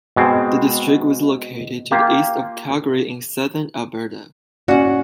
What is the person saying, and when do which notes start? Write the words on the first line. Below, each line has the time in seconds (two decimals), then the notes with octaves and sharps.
The district was located to the east of Calgary in southern Alberta.
0.16 B2 G#3 C4
1.91 A#3 F4 G4
4.68 C#4 F#4 D5 F#5